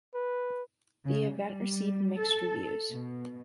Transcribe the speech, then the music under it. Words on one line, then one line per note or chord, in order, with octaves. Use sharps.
The event received mixed reviews.
B4
C#3
G3
A4
B2